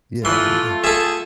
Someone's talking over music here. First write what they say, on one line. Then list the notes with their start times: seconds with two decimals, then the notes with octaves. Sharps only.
Yeah, yeah.
0.25 E3 A3 F4 C6
0.84 G#4 A4 E5